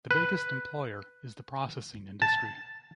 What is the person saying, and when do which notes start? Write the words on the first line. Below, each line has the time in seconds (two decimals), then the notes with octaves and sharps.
The biggest employer is the processing industry.
0.11 B4
2.22 A5